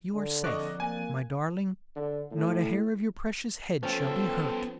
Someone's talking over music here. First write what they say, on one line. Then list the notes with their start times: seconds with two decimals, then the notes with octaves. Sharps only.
'You are safe, my darling; not a hair of your precious head shall be hurt.
0.14 D3
0.44 F2 D5 D#5 C#6 F#6
0.80 A#3 G#5
1.95 D3
2.31 A2
3.83 F3 B3 C#4 A4 G5